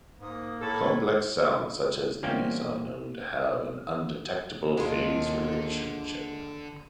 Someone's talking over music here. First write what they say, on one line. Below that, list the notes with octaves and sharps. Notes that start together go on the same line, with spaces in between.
Complex sounds such as these are known to have an undetectable phase relationship.
G#2 A#3 D#6
A2 A4 B5 C#6 G#6
E2 G3 A#3 C4 C#4 G5
D#2 D3 G#3 D4 F4